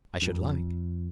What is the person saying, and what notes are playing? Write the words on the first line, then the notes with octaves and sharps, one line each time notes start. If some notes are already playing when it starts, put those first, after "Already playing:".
"I should like."
F2